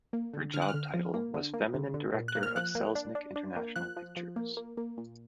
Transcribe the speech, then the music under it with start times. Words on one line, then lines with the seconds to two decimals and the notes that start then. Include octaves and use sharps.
Her job title was Feminine Director of Selznick International Pictures.
0.13 A#3
0.34 D3
0.53 D3 F6
0.62 F#6
0.68 F6
0.74 D3
0.94 F3
1.14 A#3
1.34 D3
1.54 A#3
1.75 D3
1.94 D3
2.14 A#2
2.28 F#6
2.35 A#3
2.43 F6
2.56 F3 F#6
2.75 A#3
2.95 D4
3.15 D4
3.36 D4
3.56 A#3
3.76 F3 F#6
3.97 F3
4.17 F3
4.36 A#3
4.57 A#3
4.77 A#3
4.97 A#2